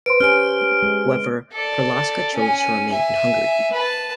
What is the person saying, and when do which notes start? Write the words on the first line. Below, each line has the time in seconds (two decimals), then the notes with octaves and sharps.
However, Perlasca chose to remain in Hungary.
0.06 B4 C5 C6 D7
0.20 C#4 G4 G#5 F6 D7
0.83 G#3
1.53 A4 D5
2.35 C#4 G#5
2.92 E5 G#5
3.73 B4 A5